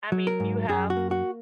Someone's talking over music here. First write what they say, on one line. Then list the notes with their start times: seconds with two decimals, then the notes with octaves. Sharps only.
I mean, you have
0.12 F#3
0.27 A#4
0.40 G#2
0.69 F#2 G#4
0.90 F#4
0.97 A#3
1.11 F#4